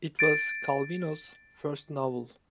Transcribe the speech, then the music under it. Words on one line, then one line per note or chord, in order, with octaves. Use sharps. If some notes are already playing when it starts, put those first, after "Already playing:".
It was Calvino's first novel.
A6 D7